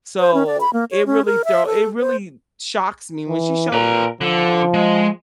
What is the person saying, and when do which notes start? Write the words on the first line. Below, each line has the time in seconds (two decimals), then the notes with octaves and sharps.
so it really throw it really shocks me, when she showed
0.19 C5
0.34 C#4
0.47 D5
0.61 B5
0.73 A#3
0.91 C#5
1.06 C#4
1.25 A#4
1.45 E5
1.66 A4
2.00 C5
3.28 E3
3.72 A#2 B4 A#5
4.21 D3 F3
4.74 G#3